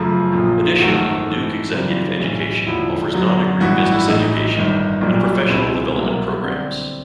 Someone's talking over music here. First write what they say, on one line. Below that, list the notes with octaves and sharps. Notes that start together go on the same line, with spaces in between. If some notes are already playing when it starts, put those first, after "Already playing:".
Additionally, Duke Executive Education offers non-degree business education and professional development programs.
Already playing: F#2 C#3 F3 A3
A#1 A#2 F3
G#1 F#2 D#3 F#3 A3 F#4
G#2 E3 A3
F#2 C#3 E3 G3 C4 F4
B1 A2 E3 G#3 C#4
E1 D#2 D3 F3 E4
F#2 D3 F#3 B3
A1 G2 E3 F#4
E4
A#1 A2 E3 D#4
G1 G2 D#3
B1 A#2 G3
C#2 B2 G#3 C4 E4
C2 B2 F#3 A#3
D3 G3 C4